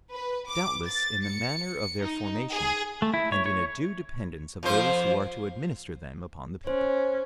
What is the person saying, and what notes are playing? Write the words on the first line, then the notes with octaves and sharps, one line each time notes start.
Doubtless in the manner of their formation, and in a due dependence of those who are to administer them upon the people.
B4
D6
A6
C#7
D#4
G#4
A3
E4
C#5
C#5
F2 F3 C5
C#4 C5